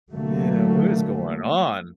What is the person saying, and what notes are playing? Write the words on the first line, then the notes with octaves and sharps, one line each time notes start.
Yeah, what is going on?
D3 F#3 A3 A#3